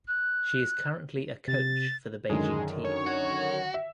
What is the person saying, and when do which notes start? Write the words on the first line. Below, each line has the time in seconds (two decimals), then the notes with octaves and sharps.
She is currently a coach for the Beijing team.
0.08 F#6
1.48 C3 A6
2.29 F#2 D3 D#3 G#3
2.84 C#5
3.06 F#4
3.74 E5